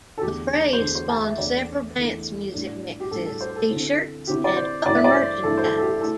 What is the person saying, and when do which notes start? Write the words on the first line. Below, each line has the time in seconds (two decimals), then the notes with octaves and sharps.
The phrase spawned several dance music mixes, T-shirts, and other merchandise.
0.18 A4
0.22 E2 D3 A3 D4 G4
0.73 C5
0.79 E2 D3 A3 D4 A4
0.95 C5
1.09 A5
1.24 E5
1.38 E2 E3 A3 D4 D5
1.96 E2 E3 A3 D4
2.54 A2 G3 D4
3.00 G4
3.11 A2 G3 D4 A4
3.26 A4
3.40 C5
3.56 A4
3.70 D3 C4 E4
4.27 D3 C4 E4 G4
4.44 D5
4.57 C5
4.85 G2 E3 A3 E4 D5
4.95 E5
5.04 D5
5.14 C5
5.43 G2 E3 A3 E4 A4
5.57 C5
5.63 A4
5.77 A4
5.82 G4
6.01 A3 E4 A4